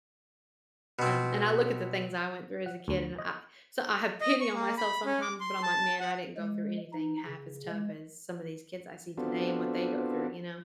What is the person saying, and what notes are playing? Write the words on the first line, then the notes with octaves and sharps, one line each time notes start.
Um, and I look at the things I went through as a kid, and I so I have pity on myself sometimes, but I'm like, "Man, I didn't go through anything half as tough as some of these kids I see today and what they go through," you know?
B2 C4
F#5
D2
D#5
D#5
C#6
A#3
B5
C#4
D6
C6
A5
F#5
G#3
D#4
C#3
G#3
B3 C4 D4 F4 F#4 A4